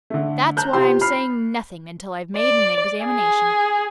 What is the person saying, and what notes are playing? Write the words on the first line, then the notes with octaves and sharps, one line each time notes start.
That's why I'm saying nothing until I've made an examination.
D3 A3
A5 A#5 F#6 G6
C3 F4 G4 C5 C6
B5 F6 C7
D5
G#4